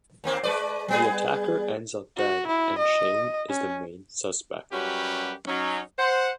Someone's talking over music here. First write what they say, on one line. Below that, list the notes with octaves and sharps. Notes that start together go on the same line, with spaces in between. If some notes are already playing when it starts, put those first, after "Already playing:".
The attacker ends up dead and Shane is the main suspect.
D#2 A#3 C4
G#3 B4 D5
G3 B3 G#4
F#4
E4
D#5
C#4
F#2 G3 C#4 F#4 G4 B4
F#3 C#4 D#4
C5 F#5